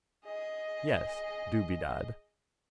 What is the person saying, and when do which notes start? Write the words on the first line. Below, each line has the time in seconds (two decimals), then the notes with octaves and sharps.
Yes, do bedad.
0.24 G#4 D#5